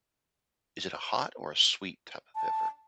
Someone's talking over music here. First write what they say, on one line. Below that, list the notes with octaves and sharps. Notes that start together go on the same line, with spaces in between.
Is it a hot or a sweet type of pepper?
A5